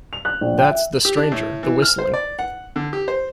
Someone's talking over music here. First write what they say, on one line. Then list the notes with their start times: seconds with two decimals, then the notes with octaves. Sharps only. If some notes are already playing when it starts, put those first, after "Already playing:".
That's 'The Stranger,' the whistling.
0.13 F7
0.25 F#6
0.41 A#1
0.58 G5
0.71 E5
1.05 G4
1.17 D4
1.32 A2
1.63 E3
1.82 F6
1.99 C5
2.14 D5
2.39 F#5
2.76 D3
2.93 G4
3.08 C5